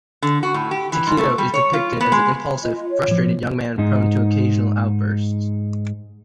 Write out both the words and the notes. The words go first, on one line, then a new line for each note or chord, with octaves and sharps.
Taketo is depicted as an impulsive, frustrated young man prone to occasional outbursts.
D3
F#4
A2
G4
E3
G#2
A3
G3
C#5
F4
B3
G#3
F4 D#5
C#5
A2 F3
G#2 D#4